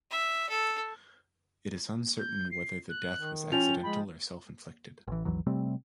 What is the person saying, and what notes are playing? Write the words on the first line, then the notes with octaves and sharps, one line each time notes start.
It is uncertain whether the death was accidental or self-inflicted.
E5
A4
G6
C7
F#6
D#3
F3 C#4 G5 F7
G#3 B5
A1 E3
G#1 D#2 E3 F#3
C3 G3 A3 C4